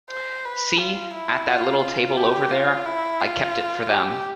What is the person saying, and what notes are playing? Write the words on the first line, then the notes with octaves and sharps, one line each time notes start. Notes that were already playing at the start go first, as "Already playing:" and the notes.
See, at that little table over there? I kept it for them.
C5
B4
F4
E4
F4
F4
G4
F4
E4
F4
G4